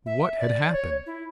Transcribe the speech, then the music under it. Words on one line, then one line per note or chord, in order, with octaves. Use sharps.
What had happened?
E5
D5
C#5
E4